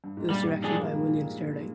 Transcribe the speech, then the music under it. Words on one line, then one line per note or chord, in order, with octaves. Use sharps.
It was directed by William Sterling.
G2
G#2
G2 A#2 G3
D#3 G3
F3 G#3 D4 G#4
G3 A#3